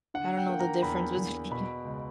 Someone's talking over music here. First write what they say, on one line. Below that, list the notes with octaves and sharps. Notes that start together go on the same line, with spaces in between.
I don't know the difference between
D3 F#5
G5
A#3
A#5
E2 B5
E2
B2 B5
C#2